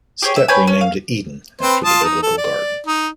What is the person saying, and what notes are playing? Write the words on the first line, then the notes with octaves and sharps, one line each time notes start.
Stepp renamed it Eden after the Biblical garden.
G4 G#4 C#5
E5
B4 C#5 G5 G#5
C#4
F5
C4 B4 C5
F4 A5 D#6
D#4
A4
D5
D#4